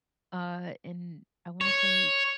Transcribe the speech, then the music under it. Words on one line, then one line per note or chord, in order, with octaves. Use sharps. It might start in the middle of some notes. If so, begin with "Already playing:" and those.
uh, and I wanna say
C#5